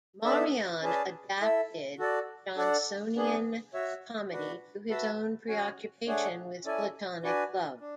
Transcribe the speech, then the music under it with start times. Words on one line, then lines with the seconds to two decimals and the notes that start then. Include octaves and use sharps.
Marmion adapted Jonsonian comedy to his own preoccupation with Platonic love.
0.24 B3 D4 A4 E5
0.81 C#4 G#4 B4 D5 A5
1.41 E4 A4 E5
1.99 F#4 A4 D5
2.56 D4 A4 D5 F#5
3.15 B3 D4 G#4
3.73 F#4 C#5 E5
4.31 D4 F#4 B4 F#5
4.90 F#4 B4 E5 A5
5.48 C#4 F#4 C#5 G#5
6.06 A3 D4 G#4 C#5 F#5
6.65 C#4 E4 A4 D5 G#5
7.23 D4 F#4 B4 D5 G#5
7.81 D4